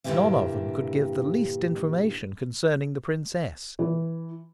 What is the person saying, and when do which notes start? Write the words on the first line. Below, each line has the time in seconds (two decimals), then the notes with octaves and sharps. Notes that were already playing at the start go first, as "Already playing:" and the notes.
None of them could give the least information concerning the princess.
0.04 G2 A#2 D3 E4 G4 E5
3.79 E3